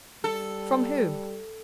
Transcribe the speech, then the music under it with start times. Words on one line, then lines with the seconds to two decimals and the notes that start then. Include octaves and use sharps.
"From whom?"
0.24 G3 A4